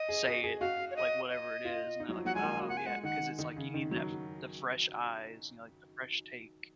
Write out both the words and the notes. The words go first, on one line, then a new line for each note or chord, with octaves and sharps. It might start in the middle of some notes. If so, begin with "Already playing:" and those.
say it, like, whatever it is, and they're like, "Oh yeah." Cause it's like, you need that the fresh eyes, you know, like, the fresh take
Already playing: D#5
G#4
F#4
G#4
F#4 F5
C#5
D#5
D#5
F4
D#4
F#3
F3
F#3 F#5
G#3 G#5
A#3
F4
F#4
F4 F#5
G#5
G#3 F#5
D#3 F#5
D#3
C#3
D#3
F#3